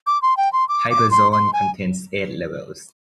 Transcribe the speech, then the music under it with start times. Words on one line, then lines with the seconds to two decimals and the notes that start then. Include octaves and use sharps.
"HyperZone" contains eight levels.
0.07 D6
0.22 C6
0.37 G5
0.53 C6
0.69 D6
0.90 D6
1.11 C6
1.32 C6
1.53 G#5